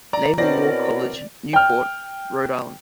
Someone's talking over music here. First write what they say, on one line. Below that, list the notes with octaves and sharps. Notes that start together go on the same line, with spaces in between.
Naval War College, Newport, Rhode Island.
D5 A#5
B2 C4 C#4 E4 A#4 D5 A#6
G5 F6